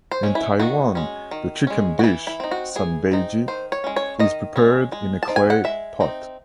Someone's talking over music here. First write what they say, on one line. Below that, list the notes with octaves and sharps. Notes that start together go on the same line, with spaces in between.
In Taiwan, the chicken dish "sanbeiji" is prepared in a clay pot.
C5
G#3 C#4
E4
D#3 F#4
G#3 C#4
D#3
G#3 C#4
F#4
E3 E4
E4
C4 D#4
F#4
E3 G#4
C4 D#4
D#3 C5
C#5
G#3 C#4
C#5
D#3 D#5
G#3 C#4
G#3
A5
C4 D#4
G#5
F#5
G#3 E5
C4 D#4